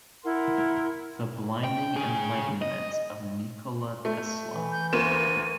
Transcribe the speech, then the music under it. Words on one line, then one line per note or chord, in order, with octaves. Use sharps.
The Blinding Enlightenment of Nikola Tesla.
E4 A#4 F#5 C6
G5
C#3 G#4
D#5
A3
E3
G6
D2 A#3 D#7 E7